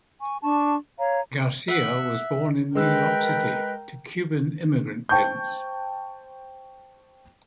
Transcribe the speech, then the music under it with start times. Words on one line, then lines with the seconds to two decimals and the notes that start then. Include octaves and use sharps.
Garcia was born in New York City, to Cuban immigrant parents.
0.21 G#5 C#6
0.43 D4 A5 C#6
0.98 C#5 F5 A#5
1.68 E5 F#5
2.75 G#3 A#4 B4 G5 E6
5.09 C5 G5 A5 C#6 G6